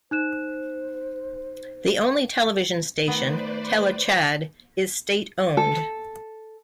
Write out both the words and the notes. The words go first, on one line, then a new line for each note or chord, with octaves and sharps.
The only television station, Tele Tchad, is state-owned.
D#4 C5 F#6 E7
D#3 A3 B3 B4 C5 D5
A4